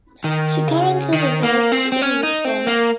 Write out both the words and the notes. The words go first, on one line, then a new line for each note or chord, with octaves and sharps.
She currently resides in Lisbon.
D#3
C#3
D#3
A#3
C4
C4
C#4
D#4
C4
A#3